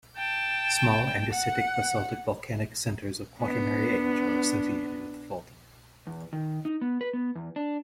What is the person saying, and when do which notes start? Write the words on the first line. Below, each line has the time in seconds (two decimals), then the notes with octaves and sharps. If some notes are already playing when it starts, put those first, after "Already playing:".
Small andesitic-basaltic volcanic centres of Quaternary age are associated with faulting.
0.16 G5 A5
1.31 F#5
3.41 B3 D4
6.07 E2
6.33 D#3
6.65 D#4
6.81 B3
7.01 B4
7.13 B3
7.35 E2
7.56 D4